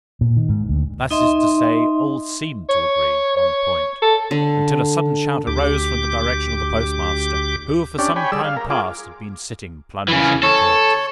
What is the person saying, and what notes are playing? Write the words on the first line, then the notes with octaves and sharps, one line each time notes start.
That is to say, all SEEMED to agree on the point; until a sudden shout arose from the direction of the Postmaster, who for some time past had been sitting plunged in thought.
A#2
D#3
G#2
D2
D#4 D#5 E5 C6
C#5
C#5
A4
D3
D2 G4 D6
C#4 D4 G4 D5
C#5 G5 G#5 B5
G3 G#4 D5 E6
F5
A#4
F4 G#4 D6
C#3 E3
A4 C#5